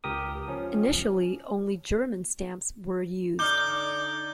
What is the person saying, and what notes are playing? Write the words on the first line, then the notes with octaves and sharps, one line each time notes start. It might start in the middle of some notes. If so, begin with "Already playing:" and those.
Initially only German stamps were used.
C#2 G4 A#4 D#6
F3 C#4
D3 D#4 D5 D6 F6 G6 G7